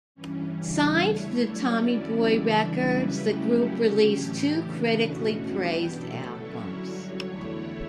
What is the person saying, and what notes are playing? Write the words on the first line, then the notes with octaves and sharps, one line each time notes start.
Signed to Tommy Boy Records, the group released two critically praised albums.
G2 E3 G3 C#4
E2 C#3 G3 D4
D3 A3 E4 C#5
D3 F#3 C#4 E4 D5
E2 D3 F#3 C#4 E4
C#3 E3 G3 D4 E5
F#2 C#3 G3 C#4 E4 B4
C#3 F#3 A3 C#4 E4 G4
D3 F#3 C#4 G4
A2 E3 A3
C#3 E3 B3 D4
E2 B2 A3 C#4 F#4
G2 E3 B3 D4 G4
B2 F#3 A3 A4
D3 F#3 C#4 E4 C#5
G2 D3 F#3
E2 D3 A3 E4 C#5